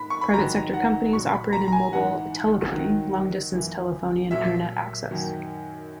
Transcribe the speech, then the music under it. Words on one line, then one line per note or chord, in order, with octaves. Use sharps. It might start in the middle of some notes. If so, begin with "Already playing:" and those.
Private sector companies operate in mobile telephony, long distance telephony and Internet access.
Already playing: G#2 B5
C#6
B5
G#2 D#3 F#3 A#5
F#5
A#2 F#3 C#6
B5
A#5
A#5
G#5
G#2 E3 F#5
G#2 D#3 F#3
F#2 E3
A#2 F#3 E5
F#2 D#3 F#3